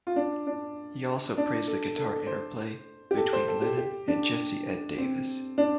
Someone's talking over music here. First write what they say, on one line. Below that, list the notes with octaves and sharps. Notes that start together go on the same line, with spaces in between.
He also praises the guitar interplay between Lennon and Jesse Ed Davis.
F4
D4
D4
D4
A4
A4
C5
G4
A4
C5
A4
G4
G4
D4
C4
D4